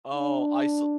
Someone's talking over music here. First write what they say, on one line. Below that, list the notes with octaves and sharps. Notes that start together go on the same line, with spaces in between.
Oh, I sa
D4